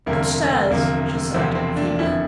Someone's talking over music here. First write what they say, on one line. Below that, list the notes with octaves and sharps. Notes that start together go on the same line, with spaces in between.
"Up stairs," she said, feebly.
E1 D2 C3 G3 A#3
E1 D2 C3 F3 A#3
E1 E2 C3 F3 C4
C4
D4
F1 F2 D3 E4